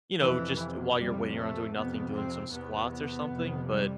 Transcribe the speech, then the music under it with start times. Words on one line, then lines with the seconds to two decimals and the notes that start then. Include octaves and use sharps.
you know, just while you're waiting around doing nothing, doing some squats or something, but
0.19 F2 C3 E3
0.96 F2 C3 G3
1.35 A3
1.73 F2 C3 B3
2.12 C4
2.52 E2 C3 B3
2.90 B3
3.29 F2 C3
3.67 G3